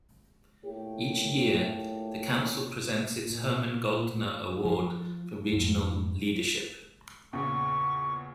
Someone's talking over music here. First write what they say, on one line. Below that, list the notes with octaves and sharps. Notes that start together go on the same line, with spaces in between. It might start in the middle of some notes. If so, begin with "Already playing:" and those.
Each year the council presents its Herman Goldner Award for Regional Leadership.
A#2 A3 E4 G4 C#5
A#2
F3
F2 G#2
E2 A#2 C#3 C#6